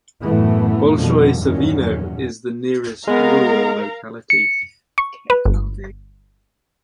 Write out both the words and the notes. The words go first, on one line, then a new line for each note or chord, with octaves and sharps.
Bolshoye Savino is the nearest rural locality.
F#2 A2 E3 A3 B3
F2 B2 D3 D#3 F3 G3
E2 G2 A#2 D#3 F#3 C#4
G#3 B3 A#4 F5 A#5
C#7
C#6
B4
G1